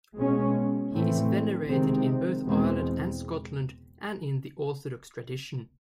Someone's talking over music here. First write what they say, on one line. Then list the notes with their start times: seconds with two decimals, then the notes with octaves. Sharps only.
He is venerated in both Ireland and Scotland and in the Orthodox tradition.
0.16 B2 G#3 C#4
0.91 A2 E3 A3 C4
1.68 C3 D#3 G#3 C4
2.44 E2 B2 G#3 C4